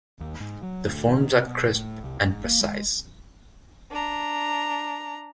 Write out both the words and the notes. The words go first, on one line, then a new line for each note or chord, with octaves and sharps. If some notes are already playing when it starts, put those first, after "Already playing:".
The forms are crisp and precise.
D#2
G#2
F#3
D2
D#3
C3
B2
A2
C2
G#2
A#3
G#3
D4 A#5